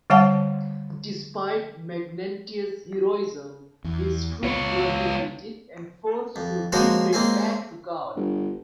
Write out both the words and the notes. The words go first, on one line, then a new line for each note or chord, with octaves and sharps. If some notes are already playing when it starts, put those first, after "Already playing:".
Despite Magnentius' heroism, his troops were defeated and forced to retreat back to Gaul.
D3 G3 C#5 F5 F#5 A5
E2
C#2 B3 F4 C#5
F2
F3 G#3 A#3 F#4 C5 C#5
G#3 A#3 C4 C#4 G#4
G1